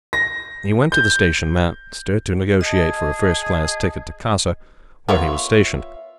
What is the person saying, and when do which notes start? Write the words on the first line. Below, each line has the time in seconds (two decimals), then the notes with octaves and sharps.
He went to the Station-Master to negotiate for a first-class ticket to Khasa, where he was stationed.
0.13 A#6
0.92 G6
2.61 G#4 D#5 A5
5.09 A#3 B3 E4 F4 C#5 E5